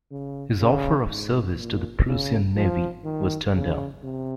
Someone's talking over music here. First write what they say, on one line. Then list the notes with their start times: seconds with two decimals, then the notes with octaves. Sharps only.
His offer of service to the Prussian Navy was turned down.
0.11 C#3
0.60 C#3
1.08 G#2
1.58 A#2
2.07 C#3
2.55 F3
3.04 D#3
3.54 C#3
4.04 C3